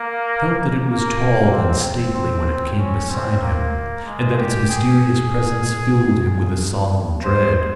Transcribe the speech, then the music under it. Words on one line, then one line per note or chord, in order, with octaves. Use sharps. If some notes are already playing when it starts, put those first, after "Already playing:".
He felt that it was tall and stately when it came beside him, and that its mysterious presence filled him with a solemn dread.
Already playing: A#3
A#3
C4
C4
C4
C#4
C4
A#3
G#3
G4
G#4
C5